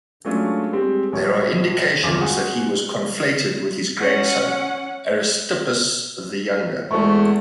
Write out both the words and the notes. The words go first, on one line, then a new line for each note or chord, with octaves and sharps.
There are indications that he was conflated with his grandson, Aristippus the Younger.
F#3 G#3 A3 C#4 D4 F4
G3 G#3 C4 G4
A#1 C#5
G1 E2 C#3 F3 F4 D6
F#4 G#4 C5 F#5 G#5 D#6
C#4 F#5
E2 G#3 A3 C5 C#6